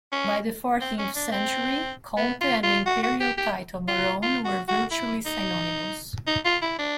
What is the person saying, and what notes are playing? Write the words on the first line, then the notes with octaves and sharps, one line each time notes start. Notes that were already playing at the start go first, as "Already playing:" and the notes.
By the fourteenth century, "conte" and the Imperial title "barone" were virtually synonymous.
C#4
C4
C#4
D4
C4
B3
F4
F4
F#4
F#4
G4
G4
F4
F4
F#4
F#4
E4
D#4
D#4
F4
E4
D4